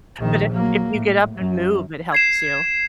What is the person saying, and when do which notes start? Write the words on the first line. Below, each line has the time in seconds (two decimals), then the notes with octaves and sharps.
But if if you get up and move, it helps you.
0.19 A#1 D#3
0.50 F#3 A#3
0.93 A2
1.35 F#2
2.12 G#6 C7 E7